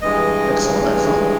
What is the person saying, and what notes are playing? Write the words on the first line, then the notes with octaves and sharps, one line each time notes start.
Excellent, excellent.
G2 E3 G#3 D#5